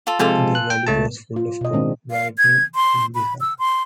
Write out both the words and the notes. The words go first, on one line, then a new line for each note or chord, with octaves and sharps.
The valley was full of corn, brightening in the sun.
F4 A4
C3 F3 G#3 F4 A4 G#5
F#6
G5
C#2 A3 A5
F4
B2 D#5
D#3 G#3 C4 D4
F5
G#6
C6
B5
E6
C6